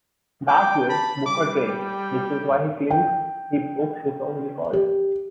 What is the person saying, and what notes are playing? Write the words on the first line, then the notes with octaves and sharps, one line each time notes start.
That year, Buka trained, which is why he claims he broke his own record.
G5 D6
A5 B5
G3 D6
G5
G5
G4